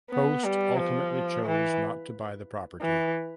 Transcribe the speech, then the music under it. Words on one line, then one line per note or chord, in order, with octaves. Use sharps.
Post ultimately chose not to buy the property.
B3
G3
F3
E3
E3